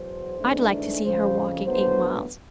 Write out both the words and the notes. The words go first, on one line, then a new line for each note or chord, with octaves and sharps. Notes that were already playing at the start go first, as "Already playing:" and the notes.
I'd like to see her walking eight miles.
Already playing: E2 B2 F#3 C5
G#2 E3 A3 D4
F2 C#3 F3 C5
A2 F#3 B3 D4 C5